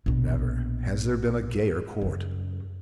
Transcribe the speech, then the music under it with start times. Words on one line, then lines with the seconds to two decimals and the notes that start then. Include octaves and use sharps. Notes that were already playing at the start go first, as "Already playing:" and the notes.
Never has there been a gayer Court.
0.06 A#1 B2
2.02 F#2 C#3